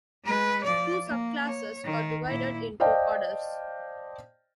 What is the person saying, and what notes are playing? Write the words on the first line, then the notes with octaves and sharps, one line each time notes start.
Two subclasses are divided into orders.
G#3 B4
F3 D5
A#3
C#5
D#3
A#2 E4
C5 D5 D#5 F5 G5 A5